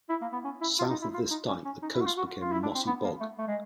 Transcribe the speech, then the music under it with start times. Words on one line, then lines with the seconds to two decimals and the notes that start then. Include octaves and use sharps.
South of this dike, the coast became a mossy bog.
0.09 E4
0.21 A#3
0.32 B3
0.44 C#4
0.61 E4
0.79 F4
0.90 D#4
1.02 E4
1.14 F4
1.31 D#4
1.48 C#4
1.65 C#4
1.82 D#4
1.94 E4
2.00 F#4
2.06 F4
2.17 F#4
2.41 F4
2.52 E4
2.63 D4
2.75 C4
2.87 B3
3.04 A#3
3.20 A3
3.38 A3
3.47 G#3